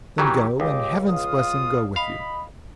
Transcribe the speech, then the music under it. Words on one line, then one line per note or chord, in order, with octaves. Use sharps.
Then go, and Heaven's blessing go with you.'
D#3 E3 F#3 G4
C#2 G4 D#5 D6
F4 F5 D#6
D#5 F5 B5